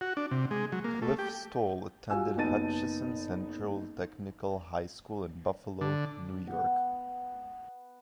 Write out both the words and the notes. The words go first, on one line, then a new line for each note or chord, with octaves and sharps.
Cliff Stoll attended Hutchinson Central Technical High School in Buffalo, New York.
F#4
D4
C3
G#3
F#3
A#3
A3
G4
G3 F4 F#4 F5 G#5 E6
F#1 B3 D#4 A5 A6 D#7
D3
B3 F#5